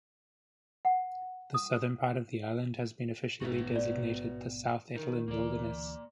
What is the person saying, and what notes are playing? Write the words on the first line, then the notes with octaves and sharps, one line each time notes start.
The southern part of the island has been officially designated the South Etolin Wilderness.
F#5
D#6
A1 G#2 B2 B3 F#4 B4 E5
D5
D#3 D#4 A#4
D2 E3 A#3 D5